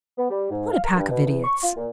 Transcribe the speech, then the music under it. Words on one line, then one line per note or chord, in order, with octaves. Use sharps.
What a pack of idiots!
B3
G3
G#2
F5
A#4
G2
B2
E2
C#6
F4
A#2